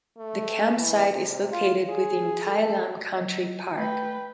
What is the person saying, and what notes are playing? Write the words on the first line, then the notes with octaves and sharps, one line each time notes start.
The campsite is located within Tai Lam Country Park.
A3
E3
C3
F4
G#4
A4
F#3 D#5
A3 B4 G5